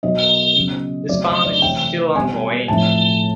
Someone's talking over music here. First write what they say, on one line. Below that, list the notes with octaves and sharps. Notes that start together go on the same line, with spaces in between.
This fund is still ongoing.
B2 F#3 B3 D#5
C#3 F#3 B3
C#3 F#3 A3 C4 D5
D#5
D5
C3 E3 A3 C4 G5
B2 G3 C4 G#5
A2 F3 A3 C4 A5